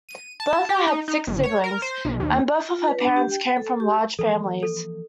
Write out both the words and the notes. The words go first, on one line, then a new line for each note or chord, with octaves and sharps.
Bertha had six siblings and both of her parents came from large families.
D#7
A5
G4
D#4
D#4
G1
C#5
A#4
C5
B1
D#2
F4
B4
D4
G4
G5
A4
G4
E3 F3 A#3 A4
A4